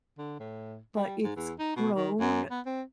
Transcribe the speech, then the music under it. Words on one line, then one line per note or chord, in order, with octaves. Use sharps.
but it's grown,
D3
A2
G3
G#2
E2
D#4
B2
D#3
F#2
B3
C4